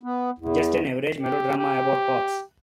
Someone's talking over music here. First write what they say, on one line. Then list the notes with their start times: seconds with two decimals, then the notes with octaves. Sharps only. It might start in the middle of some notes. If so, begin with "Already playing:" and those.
Just an average melodrama about cops.
0.03 B3
0.38 E2
1.23 G4
1.59 G4